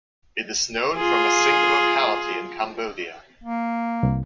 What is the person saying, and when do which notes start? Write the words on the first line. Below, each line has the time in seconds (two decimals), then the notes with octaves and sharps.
It is known from a single locality in Cambodia.
0.96 F4 G#4
3.44 A#3
4.03 C2